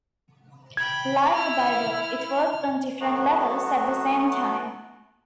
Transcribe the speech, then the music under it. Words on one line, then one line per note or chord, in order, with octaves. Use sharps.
Like the Bible, it worked on different levels at the same time.
G5 B5 G#6
E4 F6
F#3 A3 B3 F#4